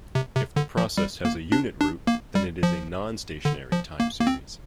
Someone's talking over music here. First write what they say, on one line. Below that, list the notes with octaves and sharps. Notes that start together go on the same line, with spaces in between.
If the process has a unit root, then it is a non-stationary time series.
C3
C3
D3
F3
G3
A#3
D4
D4
A#3
G3
F3
D3
F3
A#3
A#3
C4